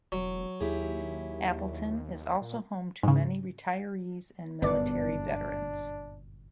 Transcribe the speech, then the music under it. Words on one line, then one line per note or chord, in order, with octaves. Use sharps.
Appleton is also home to many retirees and military veterans.
E1 F#3
D#2 E4 G4 G#4
A#2
G#2 C#3
G1 F#2 A#2 B3 D4 D5